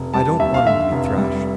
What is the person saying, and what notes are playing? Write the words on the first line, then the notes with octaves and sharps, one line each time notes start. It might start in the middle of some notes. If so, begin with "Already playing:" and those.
I don't want him to be thrashed.
Already playing: F1
G3 A5
D#2 E5
F5
D3 E5
F1
G3